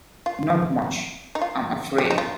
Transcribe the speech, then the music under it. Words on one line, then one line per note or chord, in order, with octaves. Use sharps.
Not much, I'm afraid.
F4
D#4
F4
G4
D#4
F4